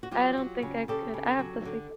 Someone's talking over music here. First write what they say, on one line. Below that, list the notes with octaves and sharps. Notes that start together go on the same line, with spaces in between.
I don't think I could. I have to sleep
F#4
F#3 F4 G4
F#3
C#3
C#3 G4 A4
C#3
F#3
D3